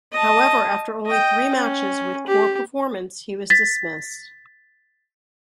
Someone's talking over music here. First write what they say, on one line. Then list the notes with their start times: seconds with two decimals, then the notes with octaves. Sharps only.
However, after only three matches with poor performance, he was dismissed.
0.12 D#5 A5
1.06 D#5 G5
1.55 C#4
2.26 G4
3.50 A6 B6